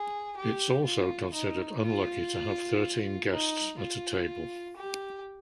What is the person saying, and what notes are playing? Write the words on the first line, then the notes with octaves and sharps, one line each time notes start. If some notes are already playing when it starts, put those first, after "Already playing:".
It's also considered unlucky to have thirteen guests at a table.
Already playing: G#4
G4
F4
D#4
F4
D#4
F4
G4